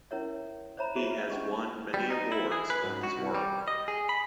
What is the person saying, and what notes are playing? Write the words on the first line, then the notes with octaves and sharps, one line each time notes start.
He has won many awards for his work.
C#4 E4 A#4 C#5 E5
C5 C#5 E5 A#5 B5
E4 G#4 C5 E5
B4 E5
C#4 D4 G4 G#4 D#5
G3
D#4
E4
G#4
B4
G#2
F#4
C2
G3
D#5
G#4
B5